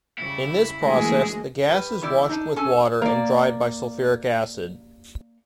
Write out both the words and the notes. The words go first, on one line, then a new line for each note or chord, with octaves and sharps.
In this process, the gas is washed with water, and dried by sulphuric acid.
C#3 G3 E4
D2 E3 G#3 A#3 G#4 D#5
G3 B4
E2 G3 E4 D5
D4 D#4
C#4 A4 G#5
A#3 D5